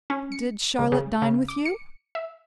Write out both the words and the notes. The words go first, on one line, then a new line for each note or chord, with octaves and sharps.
"Did Charlotte dine with you?"
C#4
C#7
C#2
C#3
C#3
D6
C#7
E5